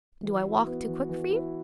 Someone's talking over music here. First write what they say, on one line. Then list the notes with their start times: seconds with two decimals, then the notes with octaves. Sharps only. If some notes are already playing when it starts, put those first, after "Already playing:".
'Do I walk too quick for you?'
0.24 E3 F#4
0.45 E4
0.67 B3
0.88 E3
1.09 E3
1.30 E4